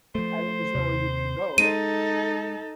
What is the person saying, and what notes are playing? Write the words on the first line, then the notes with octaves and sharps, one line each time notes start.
I there's nowhere you can go.
F3 A3 C5
D#2 C3
G#3 D#4 A4 D#7